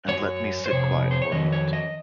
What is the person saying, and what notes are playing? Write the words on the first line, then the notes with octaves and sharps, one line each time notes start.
And let me sit quiet for a minute.
F#2 D#3 F#3 C#5
C5
F2 C3 C#5
C5
C#5
F2 D#3 F#3 C#4 D#5
C#5
D#5